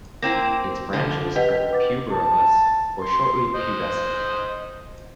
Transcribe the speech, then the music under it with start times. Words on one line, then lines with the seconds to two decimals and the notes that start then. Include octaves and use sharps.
Its branches are puberulous or shortly pubescent.
0.22 A#3 C4 E4 C5 G5 A#6
0.93 D3 F3 C5
1.36 G4 B4 D#5 F#5
1.71 B4 D6 A6
2.12 A5
3.01 C6
3.55 C5 D#5